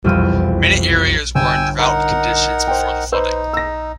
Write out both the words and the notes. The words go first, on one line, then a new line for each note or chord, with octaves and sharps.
Many areas were in drought conditions before the flooding.
E1 C2 F2 E6 F6 D#7
G1 G5 G#5 E6
D#4 A#4 F#5
C5 G5
D#4 B4 C5 E6
E6 A#6